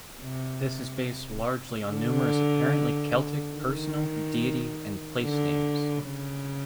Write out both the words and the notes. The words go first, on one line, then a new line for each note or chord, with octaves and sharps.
This is based largely on numerous apparently Celtic personal, deity, and place names.
C3
D3
D#3
D3
C#3